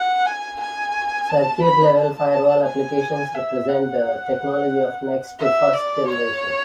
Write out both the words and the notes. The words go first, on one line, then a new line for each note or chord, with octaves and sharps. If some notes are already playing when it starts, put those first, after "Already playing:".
Circuit-level firewall applications represent the technology of next to first generation.
Already playing: F#5
G#5
G#5
A5
B5
A5
G#5
E5
F#5
E5
D5
C#5